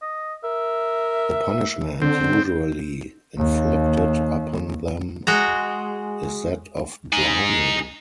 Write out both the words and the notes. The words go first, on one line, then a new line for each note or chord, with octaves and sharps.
The punishment usually inflicted upon them is that of drowning.
D#5
A#4 E5
D3 C4
D#2
G#3 F#4 A#5
D#4 G#5